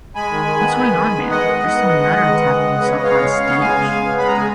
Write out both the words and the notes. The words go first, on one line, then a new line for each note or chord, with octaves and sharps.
'What's going on, man, there's some nutter attacking himself on stage.
G#3 G#5 B5
D#3
D#3
B3
G#3
D#3
D#3
B3
G#3 D#5 F#5
D#3
D#3
B3
G#3
D#3
D#3
B3
G#3
C#3
C#3
B4
B3 C#5
D#5
G#3 C#5 F5
C#3
C#3
B3
G#3 F5 G#5
C#3
C#3
B3
G#3 B5
A#5
C#3 G#5